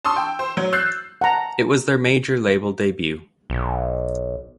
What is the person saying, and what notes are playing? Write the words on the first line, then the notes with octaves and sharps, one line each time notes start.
It was their major label debut.
A5 C6 C#6 D#6 E6
G5
C5
F#3
E6 F#6 G6 A6 C7
F#5 A5 A#5
B1